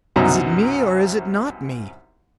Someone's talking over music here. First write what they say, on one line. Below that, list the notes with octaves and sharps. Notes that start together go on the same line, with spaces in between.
'Is it me, or is it not me?
C2 F#2 B2 F#3 D#4 A#5